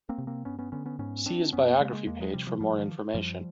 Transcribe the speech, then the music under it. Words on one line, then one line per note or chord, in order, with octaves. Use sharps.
See his biography page for more information.
A#3 C4
C3
A#3 C4
G2 B3 C#4
B3 C#4
D3 B3 C#4
B3 C#4
G#2 B3 C#4
C4 D4
F#2 B3 C#4
A#3 C4
C#3 G#3 A#3
G#3 A#3
E2 G#3 A#3
F#3 G#3
C3 F3 G3
F3 G3
G#2 F3 G3
D#3 F3
F#2 F3 G3